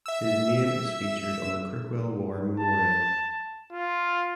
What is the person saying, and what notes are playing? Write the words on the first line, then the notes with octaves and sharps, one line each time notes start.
His name is featured on the Crookwell War Memorial.
E5 E6
A5
F4